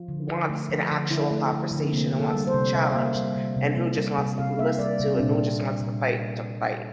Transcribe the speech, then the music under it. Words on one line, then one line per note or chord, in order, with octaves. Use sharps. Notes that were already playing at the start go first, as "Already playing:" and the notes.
wants an actual conversation and wants to be challenged, and who just wants to be listened to and who just wants to fight to fight.
Already playing: F3 F4
D3
D3
A3
F3
D3
D3 E4
A3
F3
D3
C4
C3 A#3
A#3
A4
G3
C5
C3
C3 E5
F5
A#3 E5
G3
C3
C3
A#3
G3
C3
C3 F5
A#3 E5
G3 D5
C3
C4
A#2 D4
A#3
G3
A#2